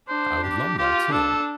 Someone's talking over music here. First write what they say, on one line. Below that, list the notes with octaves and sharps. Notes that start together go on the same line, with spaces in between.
I would love that, too.
D4 C5
G4
F4 G4
D4 A4